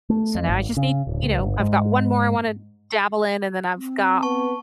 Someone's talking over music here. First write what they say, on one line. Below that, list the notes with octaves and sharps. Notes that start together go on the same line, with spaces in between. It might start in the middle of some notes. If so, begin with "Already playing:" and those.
so now I just need, you know, I've got one more I wanna dabble in and then I've got,
A3
F2
G#1
C#3
D1
C#2
G1
G#2
C4
B3 A5 C#6